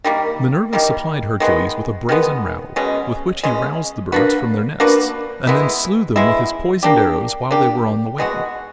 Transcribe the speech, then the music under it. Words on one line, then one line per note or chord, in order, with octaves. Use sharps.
Minerva supplied Hercules with a brazen rattle with which he roused the birds from their nests, and then slew them with his poisoned arrows while they were on the wing.
D#3 G3 A#3
D#3 G3 A#3
D#3 G#3 B3
D#3 G#3 B3
B2 G#3 C#4
B2 G#3 C#4
A#3 D4 F#4 B4
A#3 D4 F#4 B4
G#3 B3 E4
G#3 B3 E4
A#3 D4 G4
A#3 D4 G4
B2 G#3 C#4 F#4